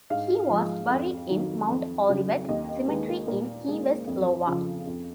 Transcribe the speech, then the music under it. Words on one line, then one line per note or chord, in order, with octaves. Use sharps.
He was buried in Mount Olivet Cemetery in Key West, Iowa.
G#2 F5
F3 G#3
F2
D#3 F#3
F2
C#3 F#3
D#2 D#5
D#5
D#3 G#3 B4
A#4
A#2 A#4
G#3
F2
C#3 F3
F2